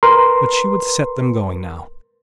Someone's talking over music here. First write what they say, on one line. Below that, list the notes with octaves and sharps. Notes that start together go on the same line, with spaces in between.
But she would set them going now.
A#4 B4 C6